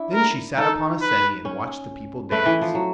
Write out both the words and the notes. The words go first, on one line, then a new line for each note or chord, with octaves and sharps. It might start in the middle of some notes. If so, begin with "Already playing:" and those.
Then she sat upon a settee and watched the people dance.
Already playing: D4 E4
A#4
D#4 A4
B4
C#4
A3 B4
E3
F3
F#3